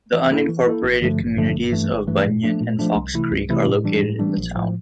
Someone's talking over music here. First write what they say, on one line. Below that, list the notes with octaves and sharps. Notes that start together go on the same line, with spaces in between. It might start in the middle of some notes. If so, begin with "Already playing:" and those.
The unincorporated communities of Bunyan and Fox Creek are located in the town.
E3
A#3 E4 A4
E3
A#3 E4 A4
A1
G2 D3 F3 A3
A1
G2 D3 F3 A3
G1
G2 E3 A3
G1
G2 E3 A3
A#2
F3 A3 D4
A#2
F3 A3 D4
C2
C3 E3 A3 E4
C2
C3 E3 A3 E4
A2
E3 G3 D4
A2
E3 G3 D4
A#1
A2 F3